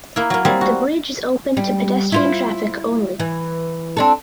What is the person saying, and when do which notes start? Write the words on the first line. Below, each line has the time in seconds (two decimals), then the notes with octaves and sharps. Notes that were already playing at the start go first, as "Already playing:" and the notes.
The bridge is open to pedestrian traffic only.
0.16 A#3 E4
0.30 F#3 A#3
0.45 G3 A#3 C4 G#4
0.61 F#4
1.57 G3
2.12 E4 F4 C5
3.20 E3
3.97 C4 D4 A4